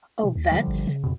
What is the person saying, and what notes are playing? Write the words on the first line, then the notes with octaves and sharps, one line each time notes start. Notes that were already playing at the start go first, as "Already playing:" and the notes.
Oh, vets?
B2
D#2
D3 F3 G3
G#1
C#3
F2 B2